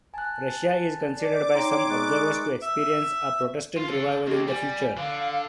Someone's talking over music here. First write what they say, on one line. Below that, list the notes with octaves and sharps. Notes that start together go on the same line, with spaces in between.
Russia is considered by some observers to experience a Protestant revival in the future.
G#5 A5 F#6
D5 D6
D#4 C#5 G5 A#5 C6 D7
G#3 B4 D5 C#6
E5
F4
D4 A4
D#2 G4
G3 G#5
D3 F5